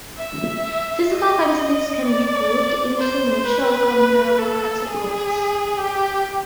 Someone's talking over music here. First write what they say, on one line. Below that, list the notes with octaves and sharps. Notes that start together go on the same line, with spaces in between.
Physical quantities can be grouped into mutually comparable categories.
E5
D#5
D5
C5
B4
A4
G#4
G4